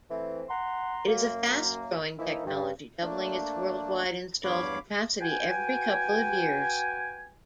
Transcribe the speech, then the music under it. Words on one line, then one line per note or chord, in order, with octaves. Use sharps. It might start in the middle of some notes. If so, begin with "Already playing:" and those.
It is a fast-growing technology doubling its worldwide installed capacity every couple of years.
E3 A3 C4
F#5 A#5 C6
F#2 A#3
E3 F3 A#3 D#4 E4
G2
A3 A#3 D4
E2 G2 C#5 F5 B5 D6
F#4 B4 G5 G#5